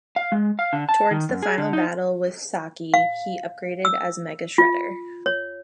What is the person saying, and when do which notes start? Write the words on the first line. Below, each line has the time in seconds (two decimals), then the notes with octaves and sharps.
Towards the final battle with Saki, he is upgraded as Mega Shredder.
0.16 F5
0.32 G#3
0.59 F5
0.73 D3
0.89 A5
1.11 D#3
1.29 F#2
1.43 G#4
1.58 D3
1.73 D#4
2.94 F5
3.85 E6
4.58 F4
5.26 C#5